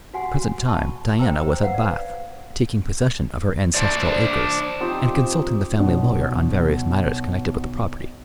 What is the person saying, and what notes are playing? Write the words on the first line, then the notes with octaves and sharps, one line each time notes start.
At the present time Diana was at Bath, taking possession of her ancestral acres, and consulting the family lawyer on various matters connected with the property.
F#4 G4 F#5 G#5 C6
A5 B5 C#6
A4 C5 G5 A#5 E6
B4 F5 F#5
D5
D4 C5 D5
F3 C4 D#4 G4
B1 B2